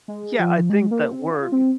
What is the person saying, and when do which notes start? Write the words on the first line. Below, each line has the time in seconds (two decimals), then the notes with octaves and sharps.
yeah. I think that we're
0.08 G#3
0.39 F3
0.70 G#3
0.91 A#3
1.11 C4
1.31 F4
1.52 C4